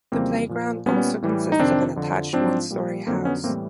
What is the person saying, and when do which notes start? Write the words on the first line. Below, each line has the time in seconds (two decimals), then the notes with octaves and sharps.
The playground also consists of an attached one-story house.
0.12 F2 C#3 E3 G3 A#3 C4
0.49 A#2 F3
0.86 A#2 G3 B3 C#4
1.22 A2 E3 G3
1.52 D#4
1.60 F2 C3 D#3 C4 D4
1.96 F2 D3 F3
2.33 G#2 F3 C4 D4
2.70 A#2 G3
3.07 F2 D3 F#3 A#3 C4
3.25 B3 C#4
3.44 A2 E3 G3 A#3 C4